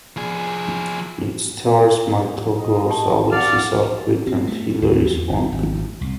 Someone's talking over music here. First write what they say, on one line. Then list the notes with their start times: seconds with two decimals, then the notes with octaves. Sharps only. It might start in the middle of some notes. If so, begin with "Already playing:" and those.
It stars Michael Gross, Alexis Arquette, and Hilary Swank.
0.17 F3 G#4
2.60 D#5
2.89 G4 A5
3.32 D5 F5 F#5 F6
4.27 C4
4.47 A3
4.82 D2
5.04 E2
5.30 G1
5.52 G#1
6.01 C2